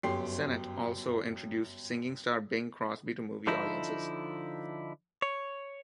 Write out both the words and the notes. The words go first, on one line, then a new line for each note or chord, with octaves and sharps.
Sennett also introduced singing star Bing Crosby to movie audiences.
G1 F#2 G4 G5 C6 C7
D3 F3 D#4 E4
C#5